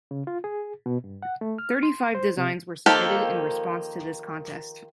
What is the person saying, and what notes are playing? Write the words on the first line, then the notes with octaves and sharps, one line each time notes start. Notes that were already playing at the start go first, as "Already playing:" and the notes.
Thirty-five designs were submitted in response to this contest.
C#3
F4
G#4
B2
G2
F#5
A3
F6
C6
C5
C3
D#3 F3 A#3 G4 A4